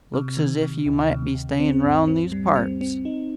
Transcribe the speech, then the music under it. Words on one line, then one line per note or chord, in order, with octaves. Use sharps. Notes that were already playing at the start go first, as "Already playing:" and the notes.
Looks as if you might be stayin' round these parts!
C3
D#3
C3
D2
C3
D2
C4
G2
C4
G3
C4
C4
D#4